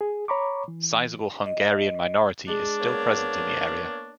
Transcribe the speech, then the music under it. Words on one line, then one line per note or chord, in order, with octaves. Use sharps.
Sizable Hungarian minority is still present in the area.
G#4
C#5 A#5 B5 C#6 D6
E3
D#5
G#3 D4
A#3 B3 C#5